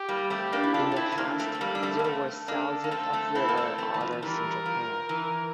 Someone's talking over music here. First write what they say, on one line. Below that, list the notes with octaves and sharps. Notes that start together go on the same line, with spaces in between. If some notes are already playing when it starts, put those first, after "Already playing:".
In the past, there were thousands of river otters in Japan.
Already playing: G4
G3 A#3
A3 C4 G4
A#3 D4
E4
D4 F4 A4
F4
C4 E4
E4
A#3 D4
A3 C4
A3
G3 A#3
D4
A3 C4
A#3
A3 C4
A#3 D4 A4
A#3
A3 C4
A3 C4
C4 E4
A#3
A3 C4
A3 C4
E3
F3
F3
E3 G3 A#4
F3
E3